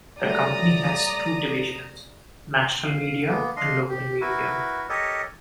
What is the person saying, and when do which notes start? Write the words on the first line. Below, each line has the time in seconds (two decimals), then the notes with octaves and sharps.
The company has two divisions: National Media and Local Media.
0.22 F#3 G3 A3 D5 A#5 D#6
2.85 F5
3.28 A#3 B3
3.57 D4 D#5 F5 C6
3.89 G4
4.21 E4 F#4 A#4 B4
4.89 G4 A4 A#4 C#5 D#5